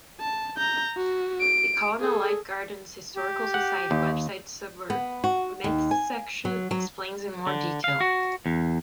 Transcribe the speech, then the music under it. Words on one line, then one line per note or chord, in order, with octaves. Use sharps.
The Colonel Light Gardens Historical Society website suburb myths section explains in more detail.
A5
A#5 G6
F#4
D7
G#4 A4
G4
F#5
D#2
B3
F#4
D#2
G#5
F#3
F#3
D3
F5
F#4
E2